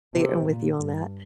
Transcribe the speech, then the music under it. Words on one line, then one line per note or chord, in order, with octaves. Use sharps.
am with you on that.
C3
A#2
G2